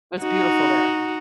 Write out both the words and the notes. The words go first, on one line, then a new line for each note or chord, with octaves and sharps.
It's beautiful there.
D#4 F#4